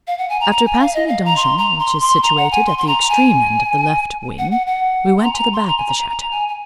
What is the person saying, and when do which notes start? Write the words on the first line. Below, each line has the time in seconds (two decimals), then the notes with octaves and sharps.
After passing the donjon, which is situated at the extreme end of the left wing, we went to the back of the chateau.
0.07 F5
0.18 F#5
0.29 G#5
0.40 A#5
0.51 A#5
0.65 G#5
0.80 F5
0.94 D#5
1.08 F5
1.25 A#5
1.36 C6
1.58 A#5
1.79 C6
2.01 C6
2.23 A#5
2.37 F#5
2.51 G#5
2.66 C6
2.78 C6
2.87 A#5
3.04 A#5
3.09 G#5
4.38 F#5
4.52 F#5
4.67 F#5
5.17 C6
5.23 A#5
5.33 G#5
5.38 A#5
5.53 C6
5.67 A#5
5.78 G#5
5.88 A#5
5.98 A#5
6.10 A#5
6.31 G#5
6.49 G#5